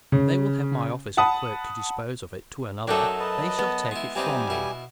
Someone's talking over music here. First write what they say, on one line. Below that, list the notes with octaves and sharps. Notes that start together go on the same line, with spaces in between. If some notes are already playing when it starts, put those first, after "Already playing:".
If they will have my office of clerk to dispose of it to another, they shall take it from me.
C#3
F#5 A5 B5 D#6
F#2 F#3 A3 D#4 A4 D5 F#5 G5
B4 D#5 A5
B3
G#3 E4
E3 G3 C4 D#4 G4 G#5
B2 E4